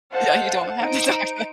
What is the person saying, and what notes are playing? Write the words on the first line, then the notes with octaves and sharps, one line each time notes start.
Yeah, you don't have this accent.
A4 C5 D#5 F5 F#5 A5
D#4 C5 D7